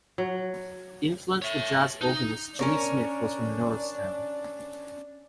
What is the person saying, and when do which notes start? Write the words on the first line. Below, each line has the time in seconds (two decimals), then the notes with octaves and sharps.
Influential jazz organist Jimmy Smith was from Norristown.
0.18 F#3
1.42 C#5 E5
2.01 D#4
2.59 C#4 D4 A#4 C#5